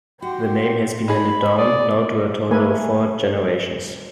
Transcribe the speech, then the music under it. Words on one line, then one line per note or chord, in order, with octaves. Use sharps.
The name has been handed down, now to a total of four generations.
F#4 G4 F#5 G5 C6
D#4 G#4 B5
D5 D#6
A3 A#3 A4 B4 G#5